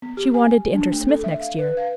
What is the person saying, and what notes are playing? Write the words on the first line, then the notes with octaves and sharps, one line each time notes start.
She wanted to enter Smith next year.
B3
G4
G#5
D4
A3
A4
E5
F5
B4
F5